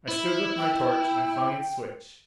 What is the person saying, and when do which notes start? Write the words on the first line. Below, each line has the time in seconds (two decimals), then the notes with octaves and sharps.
I stood with my torch and flung its switch.
0.08 E4
0.58 G5